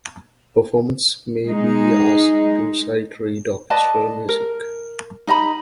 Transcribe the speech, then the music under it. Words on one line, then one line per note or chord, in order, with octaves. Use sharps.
Performers may be asked to sight read orchestral music.
G#3 D#4
B4 D5 D#5 A5
A#4
D#4 D#5 A#5 B5